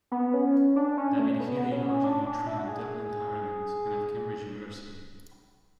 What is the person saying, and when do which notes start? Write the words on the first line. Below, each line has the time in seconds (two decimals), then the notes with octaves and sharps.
David Healy originally trained in Dublin, Ireland, and at Cambridge University.
0.12 B3
0.34 C#4
0.76 D4
0.97 C#4
1.19 A3
1.40 B3
1.57 B3
1.72 C#4
1.89 C#4
2.04 D4
2.26 D4
2.47 E4
2.58 F#4
2.68 G#4